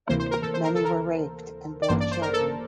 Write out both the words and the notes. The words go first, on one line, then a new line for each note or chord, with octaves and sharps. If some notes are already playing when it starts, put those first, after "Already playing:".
Many were raped and bore children.
D2 C3 E3 A#3 C5
C5
A#4
A4
C5
A#4
A4
A#4
D5
A1 G2 E3 A#3 D4 C5
D5
C5
A#4
A4